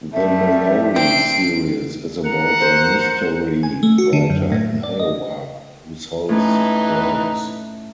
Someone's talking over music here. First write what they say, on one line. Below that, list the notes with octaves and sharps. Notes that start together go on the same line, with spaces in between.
The Mallory series is about a mystery writer in Iowa who solves crimes.
F3 G3 A3 E5
C4 C7 D7
A#4 F#5
C5
G#5
A3
F#4
D3
F#2
A2
D5
D#5
A2 E3 A3 C#4 D#4 B4